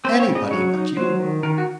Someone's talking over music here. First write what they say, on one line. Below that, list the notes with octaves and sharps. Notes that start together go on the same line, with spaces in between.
Anybody but you.
C4 C5
C#5
C#3
D#5
F#3 C#5
D#4
F#3 C5
D#3
D#3 A#4
F#4